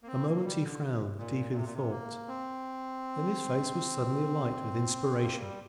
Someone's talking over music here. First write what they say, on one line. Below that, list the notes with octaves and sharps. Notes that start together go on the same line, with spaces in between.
A moment he frowned, deep in thought; then his face was suddenly alight with inspiration.
A#3
C4
A#3
G3
D3
A#2
C3
A#2
C3
A#3
C4
A#3
G3